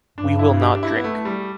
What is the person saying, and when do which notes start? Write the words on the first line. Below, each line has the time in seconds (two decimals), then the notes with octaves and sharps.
We will not drink.
0.18 G2 D4
0.39 E4
0.61 G4
0.75 D4
0.83 E4
0.96 B3
1.04 A3
1.25 G3